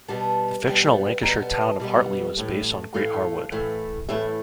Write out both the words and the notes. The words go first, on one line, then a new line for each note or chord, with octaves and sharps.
The fictional Lancashire town of Hartley was based on Great Harwood.
B2 G3 B3 A5
B2 G3 B3
B2 G3 B3 A#5
A5
D#5
B2 G3 B3 E5
A2 E3 A3
A2 E3 A3 F5
A2 E3 A3
A2 E3 A3 E5